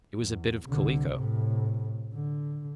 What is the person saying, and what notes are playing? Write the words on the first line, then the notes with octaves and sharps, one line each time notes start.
It was a bit of calico....
E2
C2 D3
A2 C3
D3